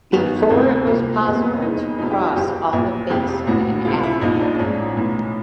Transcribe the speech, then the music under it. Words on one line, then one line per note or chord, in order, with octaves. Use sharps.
Before, it was possible to cross all the basin in apnea.
G1 F#2 D#3 B3
D2 C3 E3 C4
B3
C2 C3 F3 A#3
F#1 F2 C3 B3
A#3
B3
C#4
E2 C#3 E3 D#4
F1 E2 C3 F3 D#4
G4
F#4
F#1 F#2 C#3 E3 G4
A#1 A#2 F3
F1 F2 C3 G4
G4
A#1 A2 E3 F#4
C#2 C3 E3 F4
E4
A#1 A#2 F3 D#4
D4
D4
A1 G#2 F3 C#4
B1 A2 E3